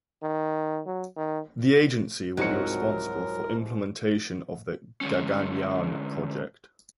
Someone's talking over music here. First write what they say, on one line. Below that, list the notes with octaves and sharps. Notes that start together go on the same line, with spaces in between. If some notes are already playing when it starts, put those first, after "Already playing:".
The agency will be responsible for implementation of the "Gaganyaan" project.
D#3
F#3
D#3
C2 G#2 F3 F#3 C4 D#4 A#4 C#7
D3 G#3 C#4